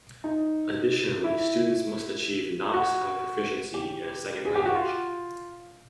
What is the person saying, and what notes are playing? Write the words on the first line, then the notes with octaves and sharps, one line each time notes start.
Additionally, students must achieve "novice-high proficiency" in a second language.
D#4
E4
F#4
G4
G#4
G4
F#4
F4